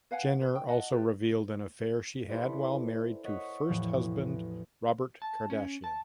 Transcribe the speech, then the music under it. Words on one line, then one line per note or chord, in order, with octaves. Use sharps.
Jenner also revealed an affair she had while married to first husband Robert Kardashian.
B4 F5 F#5 G#5
B4
G5
D#5 F#5 A5
F4 G4 A4 B4
E4 G4 A4 B4 C5 D5
C#5 D#5 F#5 C#6 B6
A1 E2 A2 F3
A5
C#4
A5